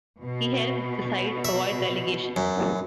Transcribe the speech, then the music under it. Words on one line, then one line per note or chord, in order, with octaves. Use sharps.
He helped the side avoid relegation.
B2
E5
F#2